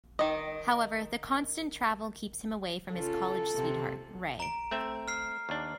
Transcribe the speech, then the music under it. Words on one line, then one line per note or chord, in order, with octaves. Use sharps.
However, the constant travel keeps him away from his college sweetheart, Rae.
D#3 D#5
C#3 F4 A4
C3
A#5 D7
A3 C4 E5
F6 C7
D#2 D4